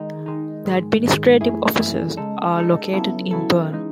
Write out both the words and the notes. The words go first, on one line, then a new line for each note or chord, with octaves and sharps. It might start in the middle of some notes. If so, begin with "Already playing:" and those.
The administrative offices are located in Bern.
Already playing: D#3 G#3 D#4
D#3 G#3 D#4
G#2 D#3 G#3
G#2 D#3 G#3
F#2 E3 A3 E4 G#4
F#2 E3 A3 E4 G#4
C#3 G#3 D#4 A4
C#3 G#3 D#4 A4
C#3 F#3 B3 E4 A4
C#3 F#3 B3 E4 A4
C#3 E3 G#3 D#4